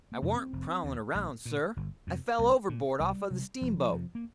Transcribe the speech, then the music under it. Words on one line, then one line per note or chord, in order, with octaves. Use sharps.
"I warn't prowling around, sir, I fell overboard off of the steamboat."
A#3
F2 C3
C4
F1
D#2
A#1
A#2
G1
F2 C3
C2
A#2
C2 G3
C3
F1 F3
F2 C3
A#3